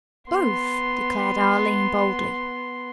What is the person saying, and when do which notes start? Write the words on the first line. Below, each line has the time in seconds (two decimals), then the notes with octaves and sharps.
"Both," declared Arline boldly.
0.30 B3 C6